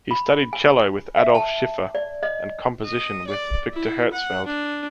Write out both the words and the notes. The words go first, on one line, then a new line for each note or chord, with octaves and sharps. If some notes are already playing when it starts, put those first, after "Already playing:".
He studied cello with Adolf Schiffer and composition with Viktor Herzfeld.
B5
G#5
E5
A5
D5
D#5
D#5
D5
E4
F#5
D4